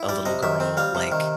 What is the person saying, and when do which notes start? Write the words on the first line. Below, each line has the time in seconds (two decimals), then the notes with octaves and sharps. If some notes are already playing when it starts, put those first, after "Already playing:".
a little girl?" Like
Already playing: E4
0.09 G3 D5
0.25 C3 D#5
0.43 D#3 E5
0.60 C4
0.77 G3 F5
0.95 C3
1.12 D#3